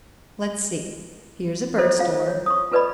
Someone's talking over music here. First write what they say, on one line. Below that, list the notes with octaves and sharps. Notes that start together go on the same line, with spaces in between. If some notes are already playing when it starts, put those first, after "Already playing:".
Let's see--here's a bird store.
E4 G#4 A4 C5 C#5 D#5
F4 F5
C#5
C#6 D#6
F4 A4 B4 D5 D#5 B5